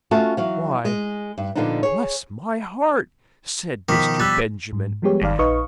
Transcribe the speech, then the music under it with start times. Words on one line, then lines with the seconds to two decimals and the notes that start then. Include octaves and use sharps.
'Why, bless my heart!' said Mr. Benjamin Allen.
0.11 A3 C#4 F4 F#4 A4 A5
0.37 E3 F#3 F5
0.85 G#3
1.38 G2
1.55 A#2 D3 F3 B3 D4 D#4
1.83 G#4 C#5
3.89 B2 D#3 F3 D6 B6
4.20 G3 E6 F#6 A6
4.73 G#2
5.02 F3 G3 G#3 B3 G4 C#5
5.22 G1 D#3 D5 F5
5.39 A#1 D#4 B4 D#5 F5 C#6